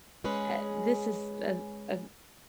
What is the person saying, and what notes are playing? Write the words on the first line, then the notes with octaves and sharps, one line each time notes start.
uh, this is a a
G#3 C#4 G#4 B4